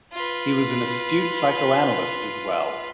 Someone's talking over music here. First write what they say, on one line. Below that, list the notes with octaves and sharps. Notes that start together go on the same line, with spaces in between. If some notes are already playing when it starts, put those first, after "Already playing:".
He was an astute psychoanalyst as well.
F4 B4